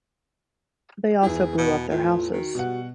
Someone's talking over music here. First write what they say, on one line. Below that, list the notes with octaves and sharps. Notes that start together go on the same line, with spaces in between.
They also blew up their houses.
E2 E4 G#4
B2
A2 F4
D#3 F#4
B2 G3 F#5